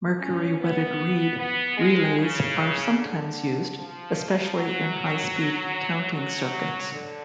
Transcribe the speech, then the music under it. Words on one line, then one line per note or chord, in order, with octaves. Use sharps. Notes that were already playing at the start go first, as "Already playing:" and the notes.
Mercury-wetted reed relays are sometimes used, especially in high-speed counting circuits.
C#4
B3
B3
G#3
C#3
D3
F3
F#3
F#3
D3